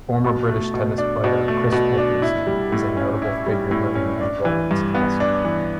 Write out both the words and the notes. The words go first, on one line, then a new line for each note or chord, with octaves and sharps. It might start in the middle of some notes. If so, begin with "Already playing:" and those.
Former British tennis player Chris Wilkinson is a notable figure living in Rowland's Castle.
B2
A3
B2
D4
B2
A3
B2
D4
E4
G3
A2
C#4
E4
G3
A2
C#4
D4
E3
G2
B3
D4
E3